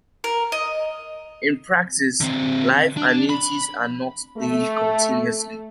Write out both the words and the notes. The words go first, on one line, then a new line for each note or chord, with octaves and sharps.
In practice life annuities are not paid continuously.
A#4
D#5
D3 C4
D4
B5
A3